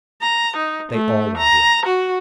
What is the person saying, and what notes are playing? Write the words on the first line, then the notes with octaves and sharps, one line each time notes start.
They all went in.
A#5
D#4
A3
A#5
F#4